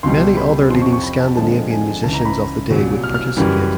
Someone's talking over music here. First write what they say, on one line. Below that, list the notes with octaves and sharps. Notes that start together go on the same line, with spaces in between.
Many other leading Scandinavian musicians of the day would participate.
C#2 B2 G3 C6
B5
F2 C3 F3 C6
C#6
C#6
B5
A5
F2 D3 F3 G#3 A5
G#5
C#2 C#3 E3 A5
A#5
B5
C2 A#2 F#3
F6
F6
F#2 C#3 E3 G3